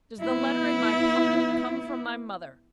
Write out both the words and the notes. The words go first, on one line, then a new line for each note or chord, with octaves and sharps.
"Does the letter in my pocket come from my mother?"
B3 E4